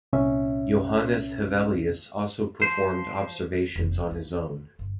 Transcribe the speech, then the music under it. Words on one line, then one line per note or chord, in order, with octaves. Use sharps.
Johannes Hevelius also performed observations on his own.
C2 A#2 C#4 E5
F3 C5
F1
E3 A#3
F4
G1